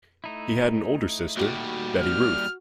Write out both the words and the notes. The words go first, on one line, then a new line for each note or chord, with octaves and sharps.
He had an older sister, Betty Ruth.
A3 D#4 E4
D#2 G3 F#4
F6